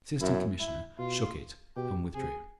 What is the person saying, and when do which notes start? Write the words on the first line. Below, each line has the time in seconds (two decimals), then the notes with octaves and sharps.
The Assistant Commissioner shook it, and withdrew.
0.21 F#2 E4
0.60 E4
0.98 B2 F4
1.76 B2 G4
2.15 C3 G#4